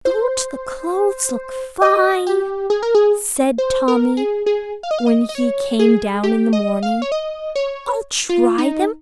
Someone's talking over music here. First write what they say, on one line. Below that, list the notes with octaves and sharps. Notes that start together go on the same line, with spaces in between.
"Don't the clothes look fine?" said Tommy, when he came down in the morning; "I'll try them on."
C5
D#5
G4
G#4
A#4
G#4
C5
A#4
G#4
G#4
F5
D#5
F5
D#5
D#5
C#5
G#4
G4
D#5
F5
C#5
D#5
C#5
F4
D#4